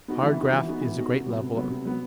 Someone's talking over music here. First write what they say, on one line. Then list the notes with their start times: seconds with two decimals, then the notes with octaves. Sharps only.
Hard graft is a great leveller.
0.08 B3 D#4 F#4
0.23 E3
0.37 B3 D#4 F#4
0.53 E3
0.67 B3 D#4 F#4
0.81 E3
0.96 B3 D#4 F#4
1.12 C3
1.27 F#3 B3
1.41 C3
1.56 F#3 B3
1.70 C3
1.85 F#3 B3